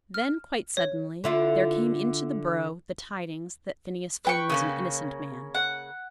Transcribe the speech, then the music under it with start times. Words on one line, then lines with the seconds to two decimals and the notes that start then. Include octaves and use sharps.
Then, quite suddenly, there came into the borough the tidings that Phineas Finn was an innocent man.
0.14 F6
0.77 C#5
1.24 D3 E4 F4
4.25 B4 G5 C#6
4.50 C#3 A#3 C#4
5.55 F#5